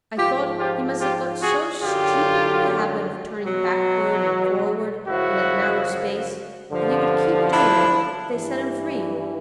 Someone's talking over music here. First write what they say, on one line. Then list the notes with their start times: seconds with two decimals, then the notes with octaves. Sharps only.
I thought he must have got so stupid with the habit of turning backward and forward in that narrow space that he would keep doing it if they set him free.
0.18 G#2 F3 F4 G4
0.59 F4 G4
1.00 F4 G4
1.41 F#4 G#4
1.81 F#2 D3 F#3 F4 G4
3.44 B2 F#3
5.07 F#2 C#3 F3 E4 F#4
6.71 G2 D3 F3
7.52 D4 E4
8.34 G2 E3